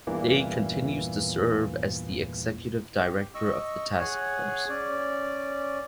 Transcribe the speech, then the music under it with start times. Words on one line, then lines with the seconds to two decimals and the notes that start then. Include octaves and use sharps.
Day continues to serve as the executive director of the task force.
0.07 E2 G2 A#2 E3 A#3
2.98 G4
3.35 D#5 C#6 E6
3.99 G#4 C#5 F#5 G#5
4.69 C#4 D5